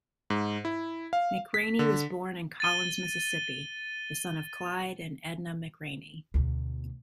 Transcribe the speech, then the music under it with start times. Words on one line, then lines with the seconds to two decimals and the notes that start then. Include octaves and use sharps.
McRaney was born in Collins, Mississippi, the son of Clyde and Edna McRaney.
0.30 G#2
0.65 E4
1.13 F5
1.54 B6
1.79 D3
2.60 A6 D#7 G7
6.34 D2 B2